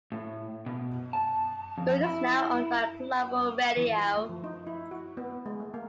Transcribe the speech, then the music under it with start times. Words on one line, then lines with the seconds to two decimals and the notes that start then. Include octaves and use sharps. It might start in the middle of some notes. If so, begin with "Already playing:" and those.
Gold is now owned by Global Radio.
0.12 A2
0.66 B2
1.13 A5
1.78 F2
2.03 E4
3.77 E3
3.96 F4
4.17 A3
4.29 F3
4.44 D#4
4.67 E4
4.91 F#4
5.17 B3
5.46 G#3
5.60 A3
5.74 A#3